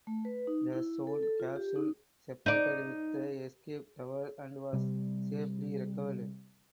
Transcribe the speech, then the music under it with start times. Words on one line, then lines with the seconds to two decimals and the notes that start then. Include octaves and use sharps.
The Zond capsule separated with the escape tower and was safely recovered.
0.07 A3
0.25 B4
0.47 D#4
0.73 E4
1.07 A4
1.23 A4
1.40 F4
1.56 G4
1.76 D#4
2.46 D#4 D5
4.73 C3 G3